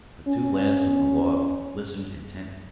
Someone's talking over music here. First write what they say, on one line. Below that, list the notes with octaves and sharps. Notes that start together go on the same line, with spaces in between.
The two lads on the loft listened intently.
C#4